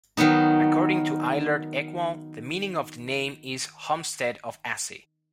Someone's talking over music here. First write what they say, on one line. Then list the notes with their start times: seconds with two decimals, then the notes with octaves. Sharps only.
According to Eilert Ekwall, the meaning of the name is "homestead of Assi".
0.17 D#3 F#3 B3 D#4